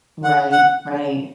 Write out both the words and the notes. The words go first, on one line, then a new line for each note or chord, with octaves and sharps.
Right. Right.
F#5
F#5